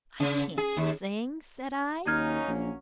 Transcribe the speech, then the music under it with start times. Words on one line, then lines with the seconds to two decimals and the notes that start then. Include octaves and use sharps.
"I can't sing," said I.
0.20 C#3
0.58 G#4
0.77 D#2
2.06 D#2 F#3 A#3 C#4 D#4 F6 G#6 D#7
2.48 A#1